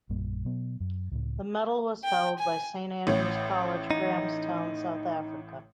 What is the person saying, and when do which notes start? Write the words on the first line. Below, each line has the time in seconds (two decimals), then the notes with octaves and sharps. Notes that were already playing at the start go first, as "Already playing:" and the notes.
The medal was held by Saint Andrew's College, Grahamstown, South Africa.
0.09 A#1 F#2 G3 A#3
0.45 B2 F#3 B3
0.80 F#2
1.12 C#2 A2
2.04 G5
2.38 G#5
3.07 A1 A2 C#5
3.91 D#4